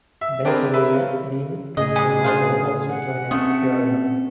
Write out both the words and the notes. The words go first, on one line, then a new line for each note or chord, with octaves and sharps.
Eventually, Deen Castronovo also joined Journey.
E5
C4 D4 G4 G#4 A#4 B4
B4 E5
C#3
A2 C#3 G#4 D#5
G3 G#3 G#5
D4 C5 F5
F#5
A3 C4 C#4 F4 G#4